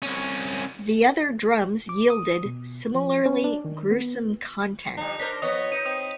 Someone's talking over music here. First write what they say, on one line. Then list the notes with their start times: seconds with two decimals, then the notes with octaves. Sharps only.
The other drums yielded similarly gruesome content.
0.02 C2 C#4
1.89 D6
2.10 D#6
2.45 B2
2.95 F3
3.26 C#4
3.44 D4
3.65 D#3
3.91 B3
4.97 D3 F3 G3 D#4
5.20 D4 A#4 C5 B6
5.42 F3 B3 C#5 D#5 D#6
5.72 D#4 D#7
5.86 C4 D#6